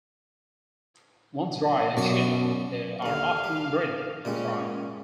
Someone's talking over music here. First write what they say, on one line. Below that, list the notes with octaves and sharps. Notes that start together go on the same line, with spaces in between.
Once dried and chilled, they are often breaded and fried.
F#2 B2 D5 C#6
D#2 D3 F5
G3
A#2 G3 G#3 C#4